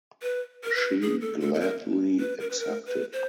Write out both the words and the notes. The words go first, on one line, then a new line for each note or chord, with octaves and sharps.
She gladly accepted.
B4
A#4
B4
G#4
A4
A4
A4
A#4
B4
A#4
B4
A#4
B4
C5